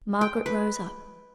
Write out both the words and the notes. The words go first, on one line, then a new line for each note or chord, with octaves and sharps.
Margaret rose up.
G5
B4